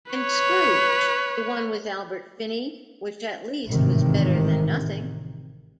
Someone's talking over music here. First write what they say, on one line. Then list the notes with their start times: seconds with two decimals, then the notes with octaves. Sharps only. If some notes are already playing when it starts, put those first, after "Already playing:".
And Scrooge, the one with Albert Finney, which at least was better than nothing.
0.12 B4 C#5
3.68 G#1 A2 C3 D#3 E3